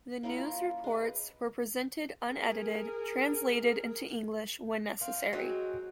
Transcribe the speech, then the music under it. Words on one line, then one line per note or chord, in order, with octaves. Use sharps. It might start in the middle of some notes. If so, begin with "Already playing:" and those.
The news reports were presented unedited, translated into English when necessary.
A#3 C#4 E4 A#4
F4
G#3 B4
G#4 A#4
C4 F4
F#3 G#3 C4